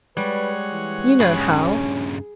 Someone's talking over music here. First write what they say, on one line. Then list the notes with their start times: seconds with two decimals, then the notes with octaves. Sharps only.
You know how!'
0.17 G3 G#3 B4 C#5 F#5
0.71 E3
1.20 G2 C#3 C#4 G#4 B5